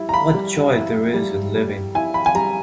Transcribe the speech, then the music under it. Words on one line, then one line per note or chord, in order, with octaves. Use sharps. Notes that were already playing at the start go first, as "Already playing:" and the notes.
What joy there is in living.
Already playing: G3 E4
A#5
B5
G3
E4
G3
G3
E4 G#5
B5
G#5
G3 A#5